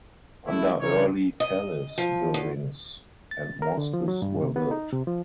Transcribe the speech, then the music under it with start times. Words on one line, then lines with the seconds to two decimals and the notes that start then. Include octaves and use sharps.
Under Early Caliphs buildings and Mosques were built.
0.47 G3 A3 E4
0.81 C#3 E3 A#4 C#5
1.40 D#5
1.98 F3
2.34 E2
3.31 A6
3.62 A#4
3.78 D3
3.93 F3
4.08 F#3
4.22 G2
4.42 C3
4.56 B3
4.71 D#4
4.92 C3
5.07 F3